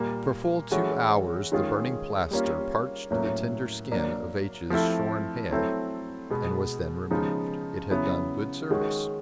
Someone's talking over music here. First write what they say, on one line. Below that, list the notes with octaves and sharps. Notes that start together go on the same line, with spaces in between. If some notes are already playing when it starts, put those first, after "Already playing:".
For full two hours the burning plaster parched the tender skin of H--'s shorn head, and was then removed; it had done good service.
Already playing: A#2 G3 A#3
E3 G#3 C#4 F#4 A4
D#3 G#3 C#4 F4 G#4
G3 A#3 C#4 F4
A2 F#3 A#3 C#4
F#3 A#3 D4
F3 A3 C4 E4 A4
F#3 A3 C4 E4 A4
B2 G#3 B3
C#3 F3 G#3 B3 D#4
C#3 F#3 B3 E4
D#3 G#3 C#4 F#4